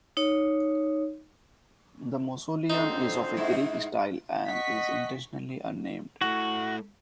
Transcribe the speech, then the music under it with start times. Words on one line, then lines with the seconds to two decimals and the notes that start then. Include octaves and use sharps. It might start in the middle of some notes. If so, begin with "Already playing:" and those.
The mausoleum is of a Greek style and is intentionally unnamed.
0.17 D#4 C#5
2.70 F2 D3 D#4 C5
3.37 G#2 E4
4.46 D#5 F#5 C#6 B6
6.21 A3 E4 F#4